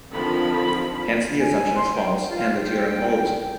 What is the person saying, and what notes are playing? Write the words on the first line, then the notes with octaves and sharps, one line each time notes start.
Hence the assumption is false and the theorem holds.
D3 D#3 F3 C4 F4 B5
G#5
C6
G5
F4
G5